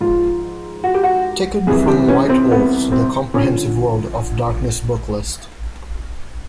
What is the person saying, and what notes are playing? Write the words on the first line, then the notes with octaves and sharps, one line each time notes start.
Taken from White Wolf's The Comprehensive World of Darkness Booklist.
G#2 F3 F4
F#4
G4
F#4
C2 C3 E3 G#4
G4
C#4
C4
B3
C4
D3 F3 C#4